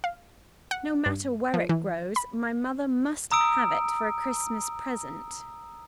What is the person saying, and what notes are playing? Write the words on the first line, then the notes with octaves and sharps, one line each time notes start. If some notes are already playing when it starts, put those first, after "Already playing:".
"No matter where it grows, my mother must have it for a Christmas present."
F5
F#5
G2
F3
E3
B5
A#5 D#6 E6 D7